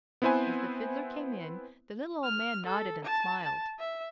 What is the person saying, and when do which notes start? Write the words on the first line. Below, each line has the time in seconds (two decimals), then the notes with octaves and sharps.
As the Fiddler came in the little old man nodded and smiled.
0.22 B3 C4 E4 B4 C5 G#5
2.23 F6
2.66 A4
3.05 A5
3.43 A5
3.79 E5